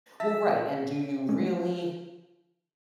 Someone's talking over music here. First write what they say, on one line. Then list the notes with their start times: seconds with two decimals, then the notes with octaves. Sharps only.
Well, right. And do you really
0.20 E5 A5
1.29 G#3 A3 C#4